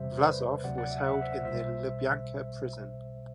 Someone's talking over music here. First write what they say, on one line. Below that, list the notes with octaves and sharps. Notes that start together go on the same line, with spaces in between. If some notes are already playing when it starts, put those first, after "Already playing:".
Vlasov was held in the Lubyanka prison.
Already playing: E2 C3 G3 C5 E5
C5
B4 D5
D2 C3 F#3 D5 F#5
D5 F#5
E5
F#5
E5
F#5
C5 E5
B1 B2 G3 C5 E5